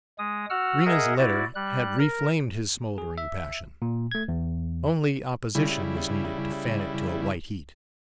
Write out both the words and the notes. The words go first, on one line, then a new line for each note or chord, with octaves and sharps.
Rena's letter had re-inflamed his smouldering passion; only opposition was needed to fan it to a white heat.
G#3 D#6
F#4 F#5 E6 F6
G#4 A#4 D#5 E5 F#5
E4 F#4 D5
G3 F#6
A#4
G#4
E5
A#2
A3 G#6
E2
C#3 G3 E4